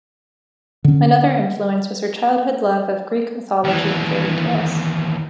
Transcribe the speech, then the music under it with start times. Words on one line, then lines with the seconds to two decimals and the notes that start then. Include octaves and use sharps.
Another influence was her childhood love of Greek mythology and fairy tales.
0.84 D3 C#4
3.64 D#2 E3